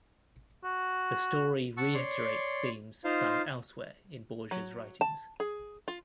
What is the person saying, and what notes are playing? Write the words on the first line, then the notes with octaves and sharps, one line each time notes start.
The story reiterates themes found elsewhere in Borges's writings.
F#4
F#5 A5 C#6 E6
C#5 D5 C6
D#4 F4 C5 F5
F#3
A5
G#4
F4